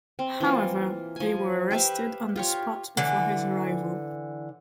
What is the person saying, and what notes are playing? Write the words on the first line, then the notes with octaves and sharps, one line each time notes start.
However, they were arrested on the spot before his arrival.
C4
E3 A#3 F4
F3 G#5
G4 B4 E5 F5
F4 G4 C#5
D3 E3